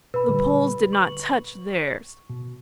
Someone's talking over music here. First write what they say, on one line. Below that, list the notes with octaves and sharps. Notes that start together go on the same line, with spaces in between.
The Poles did not touch theirs.
B2 B4 B5
A#2 D3 G3
C#6 F#7
B2